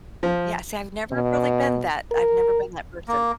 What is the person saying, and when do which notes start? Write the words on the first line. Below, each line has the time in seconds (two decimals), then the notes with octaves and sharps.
Yeah. See, I've never really been that I've never been that person.
0.23 F3
1.12 B2
2.11 A#4
3.08 A#3